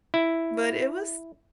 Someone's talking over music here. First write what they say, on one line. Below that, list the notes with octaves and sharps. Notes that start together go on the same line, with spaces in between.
but it was
E4